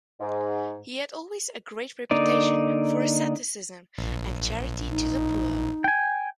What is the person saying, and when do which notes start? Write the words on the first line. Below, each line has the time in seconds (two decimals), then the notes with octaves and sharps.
He had always a great reputation for asceticism and charity to the poor.
0.20 G#2
2.11 D3 A#3 D#4 D5
3.98 A#1
4.90 D#4
5.84 G5 G#5